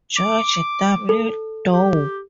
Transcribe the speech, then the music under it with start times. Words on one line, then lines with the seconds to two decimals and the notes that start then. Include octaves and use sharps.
George W. Dow.
0.17 D6
1.09 A4
1.73 G4